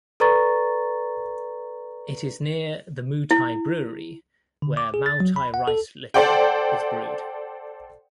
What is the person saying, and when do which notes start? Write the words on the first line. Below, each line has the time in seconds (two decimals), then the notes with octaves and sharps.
It is near the Moutai brewery, where Maotai rice liquor is brewed.
0.20 A4 B4 D5 A#5 C#6 A6
3.31 E4
4.62 D3
4.77 D6
4.94 G#4
5.06 A6
5.20 F#3
5.36 B5
5.54 F#5
5.67 A4
6.14 A4 C5 D5 F#5 G5